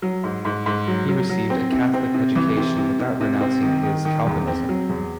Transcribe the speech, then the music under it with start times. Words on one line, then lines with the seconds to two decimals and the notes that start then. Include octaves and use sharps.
He received a Catholic education without renouncing his Calvinism.
0.02 F#3
0.24 G#2
0.45 G#2
0.66 G#2
0.88 F#3
1.09 F#3
1.29 F#3
1.50 C4
1.72 C3
1.94 C4
2.14 C3
2.36 E3
2.57 C3
2.78 C3
2.99 C3
3.21 C3
3.41 C4
3.63 D#3
3.83 D#3
4.05 D#3
4.26 E2
4.47 C4
4.69 F#3
4.89 E2